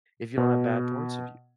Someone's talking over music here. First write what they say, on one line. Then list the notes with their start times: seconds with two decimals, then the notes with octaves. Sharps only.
if you don't have bad parts of you.
0.38 B2